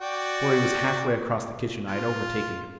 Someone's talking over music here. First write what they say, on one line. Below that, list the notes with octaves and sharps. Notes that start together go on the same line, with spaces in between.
Before he was halfway across the kitchen I had overtaken him.
F#4 D5 G5
F4